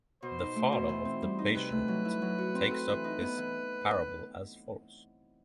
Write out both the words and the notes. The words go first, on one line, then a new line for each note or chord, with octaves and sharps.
The father of the patient takes up his parable as follows.
B2 C5
D#4
A3
B2
E3
C4
G3
D#4
C3 B4
A3
F#3
E4
F#3
F#4
C4
A4
E3
D#4
B3
E3